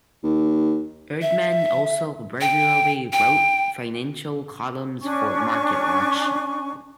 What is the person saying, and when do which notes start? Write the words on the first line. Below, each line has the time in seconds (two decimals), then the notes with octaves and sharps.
Erdman also regularly wrote financial columns for Marketwatch.
0.24 D#2
1.22 E5
2.41 G5
3.13 G5
5.02 C#4 D4 G#5 C#6